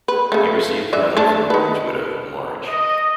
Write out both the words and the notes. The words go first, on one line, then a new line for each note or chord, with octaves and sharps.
He received the medal from Norm's widow, Marj.
B4
C#3 A3
E3 D4 E5
A3 D4 A5
D#4 B4
D#5